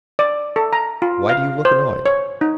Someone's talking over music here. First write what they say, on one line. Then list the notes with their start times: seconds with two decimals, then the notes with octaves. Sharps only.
Why do you look annoyed?
0.19 D5
0.56 A4
0.73 A#5
1.02 F4
1.29 F5
1.65 C5
2.06 C#5
2.41 D#4